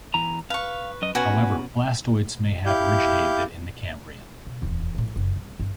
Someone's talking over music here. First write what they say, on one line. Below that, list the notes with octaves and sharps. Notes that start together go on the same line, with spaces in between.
However, blastoids may have originated in the Cambrian.
E2 E3 A#5
B4 F5 C#6
F#2 D#5
B2 C#4 F#4 B4 F#5 G#5
E4 G4 F5 G6
B2
D1 E2
A#1 A2
F#1
C2
G1